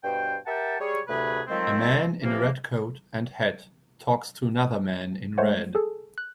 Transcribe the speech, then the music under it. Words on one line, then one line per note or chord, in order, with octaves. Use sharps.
A man in a red coat and hat talks to another man in red.
G2 B2 C5 G5
G4 A#4 E5 F#5 G5 A5
G3 G#4 C#5
D2 A2 C3 A3 G#4 B4
D#3 F3 F#3 G#3 A3 C4
C3 E3 F3 A#3
G#3 A3 C5 C#5 F#5
G#4 A4
F#6